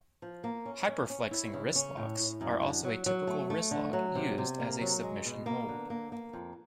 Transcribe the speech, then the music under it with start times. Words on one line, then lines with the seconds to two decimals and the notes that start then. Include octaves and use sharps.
Hyperflexing wristlocks are also a typical wristlock used as a submission hold.
0.22 F3
0.44 A#3
0.66 C#4
0.88 C#4
1.10 C#4
1.31 E4
1.53 C#3
1.75 C#4
1.97 A2
2.19 A2
2.41 F#2
2.62 D3
2.84 F#3
3.06 F#3
3.27 A3
3.50 A3
3.71 D3
3.93 F#3
4.15 C3
4.38 C3
4.60 A#3
4.81 F#3
5.03 G#3
5.25 B2
5.46 A#3
5.69 D3
5.90 A#3
6.12 A#3
6.33 F2